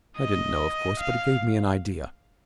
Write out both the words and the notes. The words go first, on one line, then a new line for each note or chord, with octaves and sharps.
I didn't know, of course, but it gave me an idea.
D#5
F5